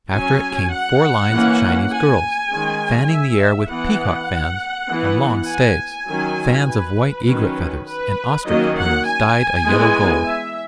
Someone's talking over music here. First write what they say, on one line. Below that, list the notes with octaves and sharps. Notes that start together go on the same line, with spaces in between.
After it came four lines of Chinese girls, fanning the air with peacock fans on long staves, fans of white egret feathers, and ostrich plumes dyed a yellow gold.
F#3 C#4 G#5
F#5
E3 A#3 C#4
G#5
D#3 G#3 C#4
E5
E3 B3 F#5
E3 B3
G#5
D#3 F#3 C#4
B4
D#3 F#3 C#4 B4
B4
D#3 F#3 A#3 C#4 D#5
F#5
G#5
E3 G#3 B3
E5